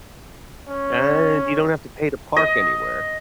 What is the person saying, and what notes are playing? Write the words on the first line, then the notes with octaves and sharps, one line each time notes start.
and you don't have to pay to park anywhere,
C#4
D#5